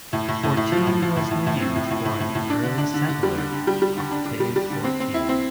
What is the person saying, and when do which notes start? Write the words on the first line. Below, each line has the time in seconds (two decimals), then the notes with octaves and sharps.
Fortine was named for an early settler, Octave Fortine.
0.13 A2
0.28 A2
0.43 A2
0.57 A2
0.72 F3
0.87 A2
1.02 F3
1.16 A2
1.31 A2
1.47 A2
1.60 C4
1.76 A2
1.90 A2
2.05 A2
2.20 A2
2.35 A2
2.50 D4
2.63 D3
2.78 D4
2.94 D3
3.09 D3
3.23 G3
3.38 D3
3.52 D3
3.67 G3
3.82 G3
3.97 D3
4.11 D4
4.25 D4
4.40 G3
4.56 G3
4.70 D3
4.84 C4
5.00 C4
5.14 E4
5.29 C4